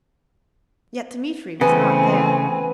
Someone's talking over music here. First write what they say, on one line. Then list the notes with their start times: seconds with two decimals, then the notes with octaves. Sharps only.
Yet Dmitri was not there.
1.61 C#3 E3 A3 B3 C4 G#5